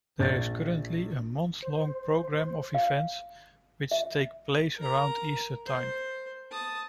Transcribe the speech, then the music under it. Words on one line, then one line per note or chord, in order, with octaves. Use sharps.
There is currently a month-long programme of events which take place around Easter time.
A#1 A6
C5
F5
E5
A#4 A#5
C5
A5 D#6